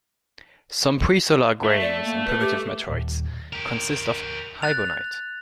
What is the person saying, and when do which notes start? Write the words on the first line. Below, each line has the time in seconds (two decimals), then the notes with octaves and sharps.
Some presolar grains in primitive meteorites consist of hibonite.
1.64 A3
1.81 D5
2.04 A#3
2.27 B4
2.40 G4
2.89 D#1
3.53 G4 A#4
4.62 F#6 A6 F7